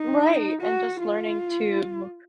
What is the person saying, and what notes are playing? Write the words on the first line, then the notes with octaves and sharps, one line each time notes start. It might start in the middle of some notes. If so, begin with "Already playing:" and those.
Right, and just learning to
Already playing: D#4
F#4
F4